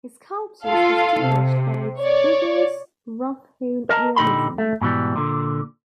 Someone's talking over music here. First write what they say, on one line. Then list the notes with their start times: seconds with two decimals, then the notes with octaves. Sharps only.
His sculpture is distinguished by its vigorous rough-hewn realism.
0.65 F4 A4 F5
1.25 C3
1.99 C#5 D5
3.89 A#4 D#5 A5 A#5
4.16 A#2 D3 D#4 G4 B5 C6
4.58 A3
4.81 G#2 B2 E3 G3
5.16 A#2 D3